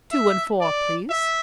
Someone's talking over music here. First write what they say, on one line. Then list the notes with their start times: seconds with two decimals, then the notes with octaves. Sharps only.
"Two-and-four, please."
0.12 E5
0.61 D5
1.10 E5